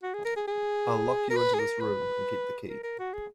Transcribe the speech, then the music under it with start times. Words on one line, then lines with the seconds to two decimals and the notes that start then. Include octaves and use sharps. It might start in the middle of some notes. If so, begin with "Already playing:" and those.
I’ll lock you into this room and keep the key.
0.03 F#4
0.14 G#4
0.25 A#4
0.36 G#4
0.47 G#4
1.30 A#4
1.36 B4
1.54 G#4
1.59 A#4
1.80 B4
2.69 A#4
2.83 A#4
2.99 F#4
3.13 G#4